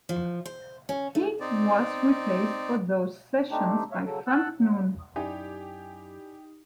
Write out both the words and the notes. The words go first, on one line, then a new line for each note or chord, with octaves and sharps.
He was replaced for those sessions by Frank Noon.
F3
C5
C#4
A3
C4 D#4 D5
A3 C4 D4 D#4 G4
C#5 E5 F5
C#3 F#3 A4
F#5 A5 E6 F#6
F#3
F#2 D#4 E4 G4 D5 G#5